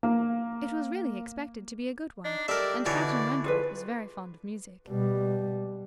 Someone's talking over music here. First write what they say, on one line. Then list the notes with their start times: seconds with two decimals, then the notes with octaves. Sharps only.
It was really expected to be a good one, and Captain Wentworth was very fond of music.
0.03 A#3
2.25 D4 D#4
2.48 G3 A4 A#4 D5 E5
2.86 B2 D3 E3 C#5 D5
3.44 F2 F4 G#4 B4
4.88 B2 G3